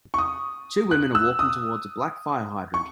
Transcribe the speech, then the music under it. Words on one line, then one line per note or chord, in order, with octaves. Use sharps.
Two women are walking towards a black fire hydrant.
C#6
D#6
F#6
E6
D#6
C#6